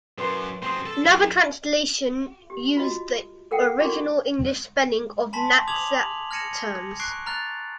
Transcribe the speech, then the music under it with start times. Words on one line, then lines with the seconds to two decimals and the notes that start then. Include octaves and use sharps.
Another translation used the original English spelling of Nadsat terms.
0.18 F#2 A#4 B4 C6
0.63 F#2 C4 C6 D#6
0.86 A4
1.05 F#2
2.50 G4
2.77 F4 F#4 D#5
3.51 A4 A#4 F#5 G5
3.79 D4 E4 F#4 A#4 C#6 D6
5.33 G#5 A5 B5 C6 B6
5.67 D6 D#6 G#6 F7 F#7
6.31 F6 G#6 A#6 C#7 D#7 E7
7.00 C#6 F#6 C7 D7
7.26 A#5 F6 F#6 A6